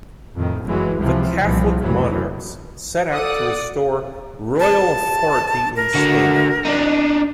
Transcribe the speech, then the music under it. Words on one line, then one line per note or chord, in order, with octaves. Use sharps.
The Catholic Monarchs set out to restore royal authority in Spain.
F2 A2 D#3
F#1 E3 F#3 G#3
C#2 C3 E3 F3
C2 A#2 E3 F3
A1 F2 C3 E3 F#3
A4 D5 F#5 D#6
A5
A#4
D3 F#4
D4 D#4